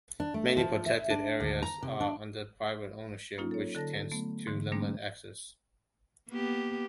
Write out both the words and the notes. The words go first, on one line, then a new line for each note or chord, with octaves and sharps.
Many protected areas are under private ownership, which tends to limit access.
D4
A3
F3
E5
D4
D2
A#5
C3
D4
F#3 A#3 C#4 D#4 F4
A4 C#5
D3 A4 A5 A#6
F#3 A3 B3
G#2 D3 E3
G3 A3 A#3 C4 D4
A#3 B3 G4